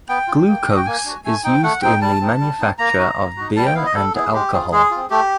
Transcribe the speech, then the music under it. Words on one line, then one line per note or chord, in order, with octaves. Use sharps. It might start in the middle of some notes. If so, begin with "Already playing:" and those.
Glucose is used in the manufacture of beer and alcohol.
B3 G5
D4 F4
A#3
D4 F#4
G5
A#3 G#5
D4 F#4
A3 G#5
C4 D#4 G5
A3 F#5
C4 D#4 G5
G3 A5
C4 D#4
G3
C4 D#4
A#3 A#5
D#4 F#4
A#3
D#4 F#4
G3 A5
G5
B3 E4 F5
D#5
G3 A4
B3 E4 G#4
G#3 G4
C4 F4 G#4
G#3 G#4
C4 F4
A3 G4